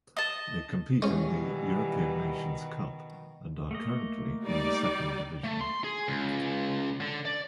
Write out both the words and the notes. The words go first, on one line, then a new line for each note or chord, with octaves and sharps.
They compete in the European Nations Cup, and are currently in the second division.
D#5 A5
B2 D#3 E3 G3 G#3 C#4
A3 A#3 D#5
G3 D#4 D5
A3
C6
G#4
C#2
D3
D5